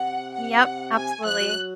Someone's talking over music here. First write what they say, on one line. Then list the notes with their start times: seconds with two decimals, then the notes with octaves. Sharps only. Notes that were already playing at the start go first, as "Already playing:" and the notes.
Yep, absolutely.
Already playing: C3 F#5
0.35 F#5
0.95 C3 G#5
1.25 F3 F#6
1.40 F#3